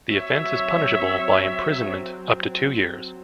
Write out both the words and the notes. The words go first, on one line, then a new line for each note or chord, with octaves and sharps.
The offense is punishable by imprisonment up to two years.
F#3 C4 C#5 E5